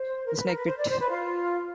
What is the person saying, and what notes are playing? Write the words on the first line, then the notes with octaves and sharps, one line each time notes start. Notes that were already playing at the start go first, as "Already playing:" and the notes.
"The Snake Pit".
Already playing: C5
A#4
B4
A#4
B4
C5
D5
C5
B4
F4